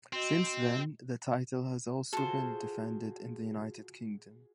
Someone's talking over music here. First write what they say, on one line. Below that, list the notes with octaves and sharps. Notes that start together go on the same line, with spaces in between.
Since then, the title has also been defended in the United Kingdom.
C4 F#4 D#5
F4 F#4 G#4 A4 C5